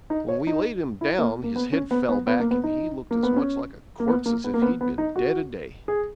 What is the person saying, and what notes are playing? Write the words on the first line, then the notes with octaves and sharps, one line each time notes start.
When we laid him down his head fell back, and he looked as much like a corpse as if he had been dead a day.
D#4
C#5
D#4
E4
A#3
A#3
B3
C#4
B3
B3
B3
A#3
B3
D#4
A#3
B3
C#4
A#3
B3
A#3
B3
A#3
B3
B3
D#4
F#4
G#4